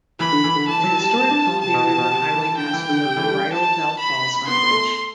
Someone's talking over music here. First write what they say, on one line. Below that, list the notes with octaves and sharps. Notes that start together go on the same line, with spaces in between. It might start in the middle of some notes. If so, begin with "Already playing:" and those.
The Historic Columbia River Highway passes over Bridal Veil Falls on a bridge.
E3 B5
D3
E3
D3
E3 A5
F#3
G3
G3
D4
G3
C3 A5
B2
C3
B2
C3
E3
D3 G5
E3
D3
C3
E3
A3
G3
A5
B5
B3 C6
A3